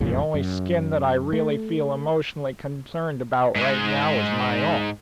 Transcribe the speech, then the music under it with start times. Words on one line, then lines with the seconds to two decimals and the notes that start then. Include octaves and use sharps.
The only skin that I really feel emotionally concerned about right now is my own.
0.01 E1 F2 A2 C#3
0.34 F#2
1.33 A3
3.56 G#2 G#3